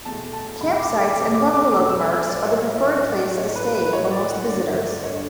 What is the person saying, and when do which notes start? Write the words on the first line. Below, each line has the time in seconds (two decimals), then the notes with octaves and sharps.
Campsites and bungalow parks are the preferred place to stay for most visitors.
0.05 E2 B2 A3 A5
0.33 A5
0.61 E2 B2 A3 B5
0.79 D6
0.98 D6
1.16 E2 B2 A3 D6
1.34 D6
1.53 D6
1.71 E2 B2 A3 D6
1.90 E6
2.27 A2 F#3 A3 D5
2.45 C#5
2.64 E5
2.82 A2 F#3 A3 E5
3.10 D5
3.37 A2 F#3 A3 C#5
3.56 B4
3.75 B4
3.93 A2 F#3 A3 C#5
4.11 D5
4.30 F#5
4.48 G2 D3 A3 D5
4.67 E5
4.85 D5
5.04 G2 D3 A3 C#5